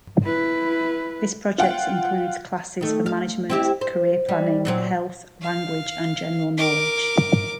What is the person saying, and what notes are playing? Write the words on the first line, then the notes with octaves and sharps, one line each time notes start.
This project includes classes for management, career planning, health, language, and general knowledge.
E4 B4
F4 F#5 G5
D#3 A3
F5
C4 E4 G4
C5
G3
A#2 F#3 C4
F5
A#4 D6